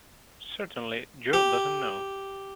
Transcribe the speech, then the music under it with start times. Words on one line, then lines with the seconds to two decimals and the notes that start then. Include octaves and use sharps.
Certainly Jo doesn't know.
1.33 G4